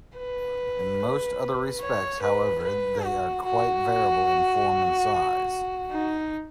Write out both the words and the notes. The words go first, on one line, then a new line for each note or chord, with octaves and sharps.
In most other respects, however, they are quite variable in form and size.
B4
C#5
B4
B4
F#4
F#4
D#4